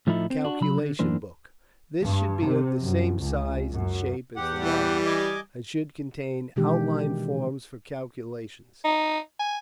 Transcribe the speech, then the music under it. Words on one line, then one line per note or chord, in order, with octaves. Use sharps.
Calculation Book.--This should be of the same size and shape as the Log Book, and should contain outline forms for calculations.
A2 F3 A3 D#4 E4
C4
D4 F#4
C#3 F#3 B5
D3
F#2 E3 A#3 D4 C5
G2
C3
F#2
C#2
F#2
E2 G4 F#5
E3 G3
D#5 G#5 D6
B2 D#3 E3 G#3 D4 G4
D#4
G#5